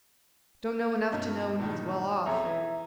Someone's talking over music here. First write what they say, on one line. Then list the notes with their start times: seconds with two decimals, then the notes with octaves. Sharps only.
Don't know enough to know when he's well off.
1.12 G2 B2 C#4 D#4
1.60 A#2 D#3 G3
2.26 B1 F2 G#4 C#5 E5 A#5
2.45 E3